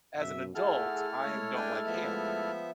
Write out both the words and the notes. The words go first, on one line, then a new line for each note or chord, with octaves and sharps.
as an adult, I don't like ham,
F#2 B2 E5
A3 E4 G#4 A4 F#5 F6
G#3 A3 C#5
D4 G5 G#5
F3 B3 E5